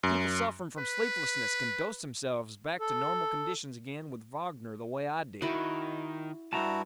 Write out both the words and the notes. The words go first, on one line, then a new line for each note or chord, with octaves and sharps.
People suffering from sleeplessness can dose themselves back to normal conditions again with Wagner the way I did.
F#2
B4
A4
D#3 E4 F#4
B1 G2 E4 F#4 A5 A#5